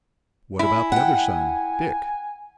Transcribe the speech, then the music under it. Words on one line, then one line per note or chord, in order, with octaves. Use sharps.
"What about the other son--Dick?"
E4 G#5
F#5 G5